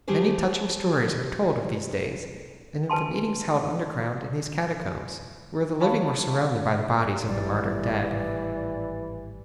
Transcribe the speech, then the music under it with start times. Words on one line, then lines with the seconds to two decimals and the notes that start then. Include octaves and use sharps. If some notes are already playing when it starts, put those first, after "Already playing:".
Many touching stories are told of these days; and of the meetings held underground in these Catacombs, where the living were surrounded by the bodies of the martyred dead.
0.08 G3 A3 G4 G#4 C5
2.90 B4 G#5 A5 C6
5.80 C#5 F5 A5 B5
7.27 G#1 A2 E3 G3 D5